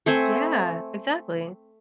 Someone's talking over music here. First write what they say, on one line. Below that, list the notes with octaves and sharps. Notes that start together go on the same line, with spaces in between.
Yeah, exactly.
A3 C4 C5 G#5